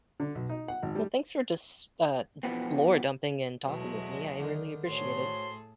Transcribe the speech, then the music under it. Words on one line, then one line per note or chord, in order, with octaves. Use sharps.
Well, thanks for just, uh, n lore dumping and talking with me, I really appreciate it.
D3
B1
D#4
F#5
G#1
G3
F2 B2 D3 E3 B3 C4
E2 B2 F#3 G#3 A3
D3 D#3
A2 F#4 G#4 A4 C5 C#5 C6